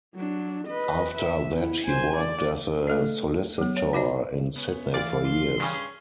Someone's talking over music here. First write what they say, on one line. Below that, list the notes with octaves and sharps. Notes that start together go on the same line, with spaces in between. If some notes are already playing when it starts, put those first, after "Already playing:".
After that he worked as a solicitor in Sydney for years.
F#3 D4
B4 D#5
E5
B3 E4
C5 G#5
D5
A3 A4 D#5
F#3 B3
C#5
D#4 F#4 D5 D#5
B3 C#4
D2 E3 D5 F5 A6
C6
G2 C#3 C#4